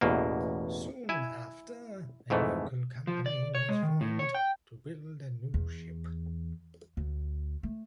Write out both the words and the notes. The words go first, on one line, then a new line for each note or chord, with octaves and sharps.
Soon after, a local company was formed to build a new ship.
A1 E2 B2 A#3
E4 G#5
F2 G#2 E3 A3
F3
D5
C#5
G#3
D#3
A2
C#5
G5
E2
D2
A3